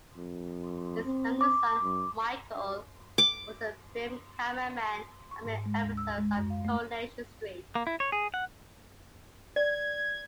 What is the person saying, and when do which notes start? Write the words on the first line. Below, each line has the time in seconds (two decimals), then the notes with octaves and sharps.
His youngest son, Michael, was a film cameraman on many episodes of "Coronation Street".
0.17 F2
1.05 C4
1.41 D6
1.81 F#2
3.18 D6
5.31 C#6
5.45 G#2
5.66 G#3
5.81 D2
5.97 E6
6.18 G#3
6.37 F#2
6.50 F5
6.65 A3
7.75 A#3
7.87 E4
8.00 C#5
8.12 G#4
8.34 F#5
9.56 D5 G#6